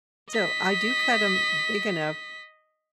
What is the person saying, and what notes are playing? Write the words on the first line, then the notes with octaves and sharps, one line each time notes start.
so, I do cut 'em big enough
D#5 B6